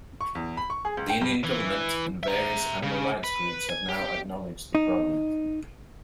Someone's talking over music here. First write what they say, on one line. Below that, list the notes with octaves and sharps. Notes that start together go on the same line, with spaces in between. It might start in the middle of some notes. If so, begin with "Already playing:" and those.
The Indian government and various animal-rights groups have now acknowledged the problem.
C#6
E2
B5
C#6
G#4
C#2
G5
G2
E3
E5 A#5
C#3
B4
G#5
G4
D#4